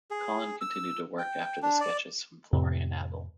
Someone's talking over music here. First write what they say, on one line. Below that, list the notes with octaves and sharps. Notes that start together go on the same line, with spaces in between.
Collin continued to work after the sketches from Florian Abel.
G#4
E6
G5
D4
D5
F2 A2 C3